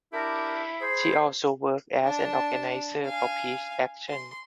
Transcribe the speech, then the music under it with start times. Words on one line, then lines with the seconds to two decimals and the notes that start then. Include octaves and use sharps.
She also worked as an organizer for Peace Action.
0.13 D4 E4 G4 A#4
0.80 G#4 C5 B5
2.03 D4 A5
3.05 F5 G#5
4.09 C6